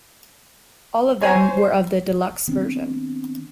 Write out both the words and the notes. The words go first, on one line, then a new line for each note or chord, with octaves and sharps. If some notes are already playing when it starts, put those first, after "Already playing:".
All of them were of the Deluxe version.
C5 C#5 G#5 A#5
D#3 B3 C4 D4